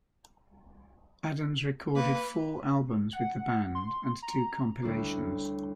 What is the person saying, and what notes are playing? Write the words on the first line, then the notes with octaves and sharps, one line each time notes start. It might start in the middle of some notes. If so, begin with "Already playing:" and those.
Adams recorded four albums with the band and two compilations.
A#3 B4
F#5
C6
A#5
D2 G3 E4 C#5 D6 C7